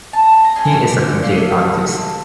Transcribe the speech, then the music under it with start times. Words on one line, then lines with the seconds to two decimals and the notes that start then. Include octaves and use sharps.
He is a complete artist.
0.13 A5
0.22 A#5
0.33 B5
0.44 A#5
0.56 A3 C#4 G#4 A5
0.64 G#5
0.72 E5
0.80 D#5
0.89 D5
1.23 A#3 C#4 F4 A4 D5
1.31 D#5
1.39 E5
1.48 A5
1.89 C4 E4 A4